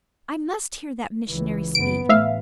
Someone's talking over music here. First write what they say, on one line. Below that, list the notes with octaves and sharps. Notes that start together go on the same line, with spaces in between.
I MUST hear that missionary speak.
C#2 E3
F#1 B3 D7
A1 A2 E5 F5